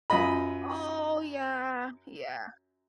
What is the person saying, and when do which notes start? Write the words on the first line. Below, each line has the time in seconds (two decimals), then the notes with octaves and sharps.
Oh yeah, yeah,
0.10 F#2 F4 D#5 B5